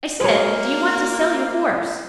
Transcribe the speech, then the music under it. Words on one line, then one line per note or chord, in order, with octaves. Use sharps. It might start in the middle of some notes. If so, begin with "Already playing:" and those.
"I said, do you want to sell your horse?"
A#3 F#4 G#4 C#5